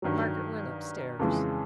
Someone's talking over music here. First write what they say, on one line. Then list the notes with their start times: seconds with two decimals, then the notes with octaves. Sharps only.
Margaret went upstairs.
0.02 G2 D#3 F#3
1.19 F2 C#3 E3 G#3